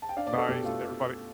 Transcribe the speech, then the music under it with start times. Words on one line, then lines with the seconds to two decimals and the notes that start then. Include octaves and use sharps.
nice. Everybody
0.02 A5
0.09 G5
0.17 D4 F5
0.27 D5
0.33 B2 A4
0.48 B2 G4
0.64 A3 F4